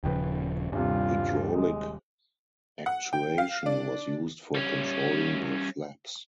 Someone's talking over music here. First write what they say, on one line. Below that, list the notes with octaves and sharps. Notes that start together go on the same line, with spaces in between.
Hydraulic actuation was used for controlling the flaps.
D#1 C#3 F3 B4 G5
D#1 G2 C3 F4
G#3
F#5
G5
F5
D4
G3 C#4